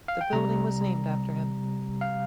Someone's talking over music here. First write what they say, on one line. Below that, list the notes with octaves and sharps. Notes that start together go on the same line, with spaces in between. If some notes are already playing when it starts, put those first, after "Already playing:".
The building was named after him.
F5
G5
C3 G3 A#5
F5